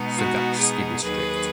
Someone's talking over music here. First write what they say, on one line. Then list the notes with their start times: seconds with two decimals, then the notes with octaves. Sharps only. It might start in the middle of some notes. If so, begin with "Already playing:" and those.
Sergachsky District.
Already playing: B2 G#3 B3 D#4
0.16 F#4
0.60 G#4
1.02 D#2 D#3 F#3 G#4 B4